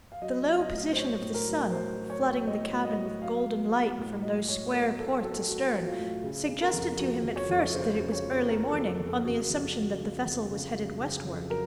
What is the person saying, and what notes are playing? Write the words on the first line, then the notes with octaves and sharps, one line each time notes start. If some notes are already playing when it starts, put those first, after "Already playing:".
The low position of the sun, flooding the cabin with golden light from those square ports astern, suggested to him at first that it was early morning, on the assumption that the vessel was headed westward.
F5
F#3 D#5
F#3
D#5
A2
C5
A2 C#5
A2
A#4
F#3
F#3 C5
F#3
C#5
F#3
A2 D#5
F#3
D#5
F#3
F#3 F5
F#3
F#3
A2
F#3 D#5
A2 C#5
F#3 A#4
A2 A4
F#3 A4
F#4
A4
F#3 F#4
F#3
F4
A2
C#3
C#3
A#4
F2
F3 F#4
F2
C#5
F2
C#3 C5
C#3
C#5
F3
F3 A#4
A4
F2
F2
A4
C#3 F#4
F2
F#4
F#3
C#3
F2
C#3
F#3
C#3
F2
F#3 A#4